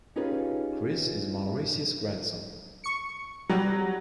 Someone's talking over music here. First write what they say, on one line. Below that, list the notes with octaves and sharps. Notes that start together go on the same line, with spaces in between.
Chris is Maurice's grandson.
C#4 D#4 F4 G4 G#4 B4
C#6 C#7
F#3 G3